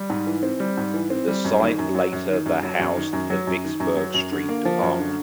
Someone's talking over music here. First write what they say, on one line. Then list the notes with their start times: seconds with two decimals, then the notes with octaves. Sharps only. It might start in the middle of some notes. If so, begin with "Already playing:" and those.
The site later the housed the Vicksburg Street Department.
Already playing: G3
0.10 G#2
0.27 E3
0.43 C4
0.60 G3
0.77 G#2
0.94 E3
1.10 C4
1.28 G3
1.45 F#2
1.61 D#3
1.78 F#2
1.95 F#3
2.12 F#2
2.29 D#3
2.46 F#2
2.63 F#3
2.79 F#2
2.96 D#3
3.13 F#2
3.30 F#3
3.47 F#2
3.64 D#3
3.80 F#2
3.97 F#3
4.14 F#2
4.31 D3
4.49 A#3
4.65 F3
4.82 F#2
4.99 D3